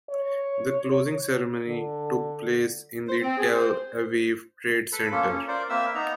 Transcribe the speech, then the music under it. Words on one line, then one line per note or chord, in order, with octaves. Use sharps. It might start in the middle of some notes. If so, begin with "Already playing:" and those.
The closing ceremony took place in the Tel Aviv Trade Center.
C#5
D3
C5
C4
G#4
C5
A4 B4 B5
A#3 C#4 F4 A4
C#4
F4 A#4 C5 D5
A#3 C4 A#4 B4 E5 E6
B3 D#4 A#5